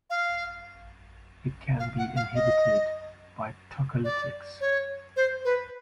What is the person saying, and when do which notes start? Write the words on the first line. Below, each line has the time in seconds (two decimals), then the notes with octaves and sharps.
It can be inhibited by tocolytics.
0.10 F5
1.79 F5
1.98 F#5
2.16 F5
2.35 D#5
4.04 D5
4.61 C#5
5.16 C5
5.45 B4